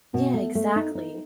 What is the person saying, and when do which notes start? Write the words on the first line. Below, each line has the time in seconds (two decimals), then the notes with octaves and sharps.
Yeah, exactly.
0.14 B2
0.34 A3
0.55 A3
0.76 D#4
0.95 D#4